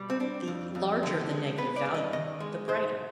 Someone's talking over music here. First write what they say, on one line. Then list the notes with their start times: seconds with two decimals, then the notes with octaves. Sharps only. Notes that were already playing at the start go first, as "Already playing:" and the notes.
The 'larger' the negative value, the brighter.
Already playing: B2 G3
0.10 C4
0.20 C4 D4
0.48 F2
0.75 F2
1.03 D3
1.31 G#3
1.58 B3 B4
1.76 D5
1.86 G2
1.94 D#5
2.13 D#3 D#5
2.40 G#3
2.68 G#2 C5